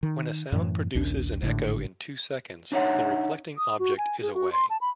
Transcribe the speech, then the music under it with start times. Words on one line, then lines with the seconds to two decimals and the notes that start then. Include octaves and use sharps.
When a sound produces an echo in two seconds, the reflecting object is away.
0.03 D#3
0.52 F#2 A2 E3
0.95 A#1 D#2 C#4 D4
1.42 G#1 A2 D3
2.72 D4 D#4 C#5 E5 F#5
3.57 D#6
3.79 F#4
3.98 G#5
4.22 G#4
4.34 F#4
4.52 C6
4.70 A5
4.81 B5